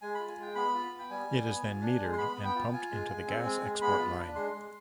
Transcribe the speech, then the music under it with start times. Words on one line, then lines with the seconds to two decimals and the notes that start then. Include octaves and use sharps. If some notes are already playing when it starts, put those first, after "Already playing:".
It is then metered and pumped into the gas export line.
0.02 G#3 G#5
0.14 B5
0.20 F4
0.28 G#5
0.37 G#3
0.42 G5
0.55 B3 B5
0.74 F4
0.92 B3
0.99 G5
1.10 G3 G#5
1.28 G3
1.46 B3
1.64 F4
1.82 D4
2.01 G#3
2.13 C6
2.18 B3 B5
2.37 B3
2.45 G5
2.55 F4
2.73 F4 G#5
2.91 G#3
3.08 G#3
3.27 C4
3.44 G#3
3.62 G#3
3.81 B3 B5
3.99 F4
4.17 D4
4.35 G#3 C6
4.52 G#3